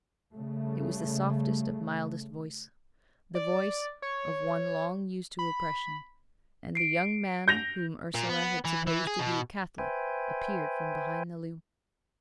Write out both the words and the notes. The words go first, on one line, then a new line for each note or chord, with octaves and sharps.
It was the softest, mildest voice--the voice of one long used to oppression; and the young man whom Ursula had supposed to be a Catholic appeared from behind the loom.
C#3 G3 A3
D5
C#5
B5
C7 D7
G6 A#6 F7
A#2
B3
E3
E3
G#4
B2
B4 C5 E5 G5 G#5